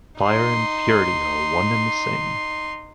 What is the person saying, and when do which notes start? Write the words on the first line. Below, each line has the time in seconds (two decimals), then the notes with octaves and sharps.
Fire and purity are one and the same.
0.19 D#4 C6